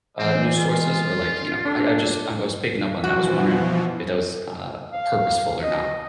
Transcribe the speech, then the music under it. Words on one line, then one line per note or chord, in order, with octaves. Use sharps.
uh, news sources? Or like, you know I I just I was picking up on that, I was wondering if that was, uh, purposeful or not.
E3 C4 D5
G#3 F4
D4 A4 D5
B2 E3 F3 F#4
F5
D#5